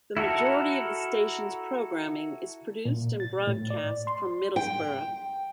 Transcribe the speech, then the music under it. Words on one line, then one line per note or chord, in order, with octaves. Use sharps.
The majority of the station's programming is produced and broadcast from Middlesbrough.
E4 F#4 A4 A#4
A#2
A6
A2
D5
C6
G5